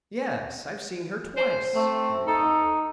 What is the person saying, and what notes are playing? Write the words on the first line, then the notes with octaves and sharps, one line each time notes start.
"Yes, I've seen her twice," he replied.
C5
A3 C4
D#4 A4